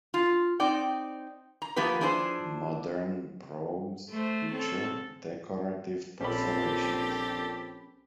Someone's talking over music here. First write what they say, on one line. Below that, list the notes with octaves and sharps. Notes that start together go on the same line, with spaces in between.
Modern brogues feature decorative perforations.
F4
C4 D#4 D5 G5
A#5
F3 A#3 B3 G4 B4
F3 D4 E4 G#4 B4 C5
A3 C5
C4 C#4 A4
A#1 C4 C#4 G4 A4 B5